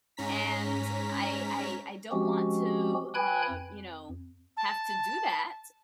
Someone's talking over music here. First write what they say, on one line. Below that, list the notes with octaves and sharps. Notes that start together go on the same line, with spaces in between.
and I I I don't want to, uh, you know, have to do that,
G#2 C#4 A#5 B6
F3 G#3 C4 C#4 F#4 G4
B4 G5 G#5 B5 F#6 G#6
F2
A5